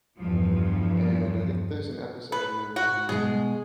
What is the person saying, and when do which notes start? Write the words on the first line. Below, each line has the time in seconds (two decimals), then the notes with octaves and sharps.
and I think there's an episode in there where he
0.18 E2 G2 F3
2.32 B4
2.76 F#4
3.09 B2 G#3 G#4